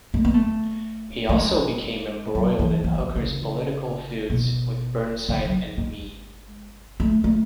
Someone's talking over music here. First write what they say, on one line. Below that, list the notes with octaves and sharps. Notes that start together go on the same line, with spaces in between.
He also became embroiled in Hooker's political feuds with Burnside and Meade.
A3
B3
A3
A3
G#3
F#3
E3
E3
E3
C#3
B2
D3
F#3
G#3
A3
A3